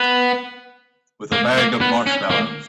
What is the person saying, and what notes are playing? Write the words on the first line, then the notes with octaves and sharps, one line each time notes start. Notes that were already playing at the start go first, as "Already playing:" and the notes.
With a bag of marshmallows.
Already playing: B3
A#3
A#3
B3
C#4
A#3